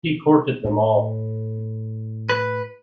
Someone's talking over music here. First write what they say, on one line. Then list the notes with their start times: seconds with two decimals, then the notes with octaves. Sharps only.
He courted them all.
0.64 A2
2.29 B4